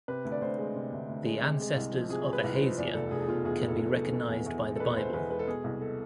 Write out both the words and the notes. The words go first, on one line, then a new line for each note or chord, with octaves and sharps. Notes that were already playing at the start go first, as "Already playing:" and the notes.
The ancestors of Ahaziah can be recognized by the Bible.
C3 B4
D2
D5
D2 C5
G#3
C3
D2
D2
G#3
C3
G#3
C2
F3
C3 G#4
G#3
B4
C2
C5
F3
E2 D5
F1 A4
F1 G#4
G#4
B2 F4
E2 G#4
F1
A4
F1
A4
B2
B2
E2
E2
G#3
A4
B2 B4
E2 C5
E2 B4
G#3 B4
A4
B2 G#4
C2
A4